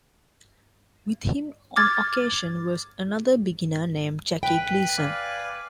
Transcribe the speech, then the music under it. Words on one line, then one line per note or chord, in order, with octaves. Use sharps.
With him on occasion was another beginner named Jackie Gleason.
D6 F6 G#6 A6
B4 G5
D5 F5 G#5